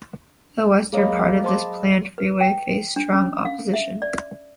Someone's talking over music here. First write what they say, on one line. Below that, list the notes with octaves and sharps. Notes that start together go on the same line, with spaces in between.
The western part of this planned freeway faced strong opposition.
F#3 G#3 A#3 G#4 C#5 D#5 B5
C5 A5 C6 D6
B4
G5
D4
C#4
F5
E5
D5